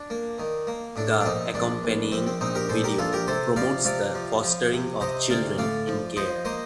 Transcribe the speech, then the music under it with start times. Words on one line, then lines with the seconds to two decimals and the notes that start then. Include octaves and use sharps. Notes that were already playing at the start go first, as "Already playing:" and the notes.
The accompanying video promotes the fostering of children in care.
Already playing: D4
0.10 A#3
0.39 D#3
0.67 A#3
0.96 A2 D4
1.21 D4
1.25 A#1 C4 D#4
1.54 A#1 D4
1.84 A#1
2.12 A#1 C4
2.26 C4
2.40 A#1 C4 D#4
2.55 G4 A#4
2.69 A#1 A4 C5
2.84 G4 A#4
2.98 A#1 F4 A4
3.12 G4 A#4
3.27 C3 A4 C5
3.56 F3 D5 F5
3.85 C3 D5 F5
4.15 F3
4.43 F3
4.72 C3
5.01 C3 C5 D#5
5.30 D2 D5 F5
5.58 A2 D5 F5
5.87 F3
6.16 F3 C5 D#5
6.45 A#3 C5 D#5